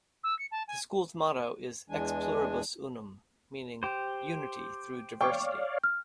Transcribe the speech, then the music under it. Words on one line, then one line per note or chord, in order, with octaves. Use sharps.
The school's motto is "Ex Pluribus Unum", meaning "unity through diversity".
E6
C#7
A5
G#5
E2 E3 G#3 D4 G#5
G4 C5
C#5 D5 F5 G5 C#6 D6
F6